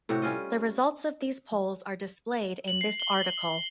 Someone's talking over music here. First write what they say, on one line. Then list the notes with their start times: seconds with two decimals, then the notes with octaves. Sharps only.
The results of these polls are displayed in this article.
0.09 A2 C3 F#4 G4
0.22 G3 C#4 F4 D#5
2.68 F#7
2.81 C7
3.00 G7